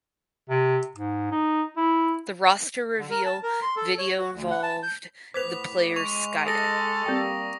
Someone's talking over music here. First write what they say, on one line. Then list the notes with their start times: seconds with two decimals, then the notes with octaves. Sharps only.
The roster reveal video involved the players skydiving.
0.49 C3
0.96 G#2
1.32 D#4
1.77 E4
2.99 D3
3.11 A#4
3.26 A5
3.43 A#4
3.62 C6
3.76 A4
3.98 C#5
4.18 F#4
4.34 D2
4.51 F#5
4.63 A5
4.83 G6
5.34 A2 B3 B4 C5 D6 B6 F7
5.96 G#3 C#6 F7
6.47 A4 D#6 A#6
7.06 G3 A#3 C4 G5